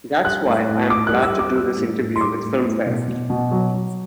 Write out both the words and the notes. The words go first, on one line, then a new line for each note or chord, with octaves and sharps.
That's why I am glad to do this interview with Filmfare.
G3 F#6
A2
A2
A2 D6
F#6
G3
E6
G3
D6
G3 E6
A2
A2
C6
G3 D6
A2
A2
B2
B2
B2
F#3
F#3